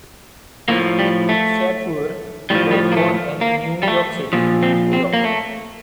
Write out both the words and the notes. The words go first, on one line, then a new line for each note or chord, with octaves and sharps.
Sabur was born in New York City, New York.
A2 F3 A#3
G3
A3
A2 F3 G3
G3
A#3
A3
A#3
G3
A3
A#2 F3
C4
C4
A#3
A3